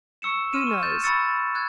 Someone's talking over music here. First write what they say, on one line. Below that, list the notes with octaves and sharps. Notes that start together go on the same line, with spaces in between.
Who knows?
C#6 E6 C#7 E7
C6 F6 D#7 E7
C#6 F6
G6 A6 E7
B5 C#6 E6 A6 C#7
F#6 G#6